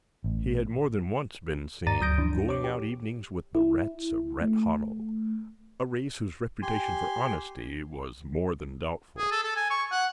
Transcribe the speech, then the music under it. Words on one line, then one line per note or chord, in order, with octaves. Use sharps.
He had more than once been seen going out evenings with the Rats of Rat Hollow,--a race whose reputation for honesty was more than doubtful.
A1
G2 D5 A#5 A6 D#7
D2 F#3 D#6 G6 A#6 D7
E3 F3 D4
C#5 D6
G4
E4
A3
G4 G#5 C6
G#4
A4
A4
G#5
C#6
F#5